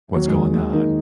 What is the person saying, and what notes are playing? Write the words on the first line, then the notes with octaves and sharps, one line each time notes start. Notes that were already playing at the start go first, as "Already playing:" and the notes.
what's going on
D#2 F#3
G#3
D#3
F#3
D#2 G#3
D#3 A#3 D#4